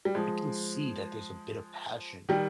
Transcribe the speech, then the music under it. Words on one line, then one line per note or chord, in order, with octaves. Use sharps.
I can see that there's a bit of passion
G3
F3 G#3
D#3 G3